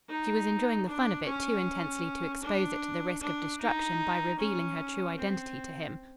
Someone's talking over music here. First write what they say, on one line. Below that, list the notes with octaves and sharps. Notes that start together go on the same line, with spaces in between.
She was enjoying the fun of it too intensely to expose it to the risk of destruction by revealing her true identity to him.
D#4
D4
C#4
D4
D4
D#4
C#4
C4